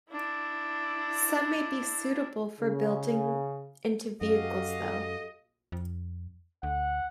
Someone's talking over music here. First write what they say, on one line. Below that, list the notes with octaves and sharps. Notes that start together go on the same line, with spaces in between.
Some may be suitable for building into vehicles though.
D4 E4
C#3
F#2 F#4 G4 A4 D#5 F5
F2
D2 F#5